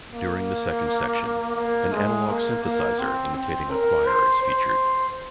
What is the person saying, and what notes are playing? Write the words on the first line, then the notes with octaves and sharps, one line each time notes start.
During the second section, an analog synthesizer imitating a choir is featured.
A#3
A#3
G#3
A#3
A#3
C4
C4
A#4
C5
C5